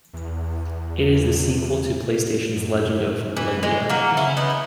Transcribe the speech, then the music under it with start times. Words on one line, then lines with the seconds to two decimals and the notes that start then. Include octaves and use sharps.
It is the sequel to PlayStation's "Legend of Legaia".
0.13 E2
2.56 F#2
3.36 E3
3.63 G#3
3.89 F#3 A#3
4.11 D#3
4.17 C#3 C#4 E4
4.37 B3 D#4